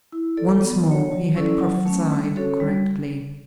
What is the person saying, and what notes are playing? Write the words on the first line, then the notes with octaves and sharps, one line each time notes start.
Once more he had prophesied correctly.
E4
A4 D5
B3
F#4 C#5
F#3
C#4 E4 A4 D5
F#3
A3 C#4
G3
C#4 F#4 A4 C#5
G3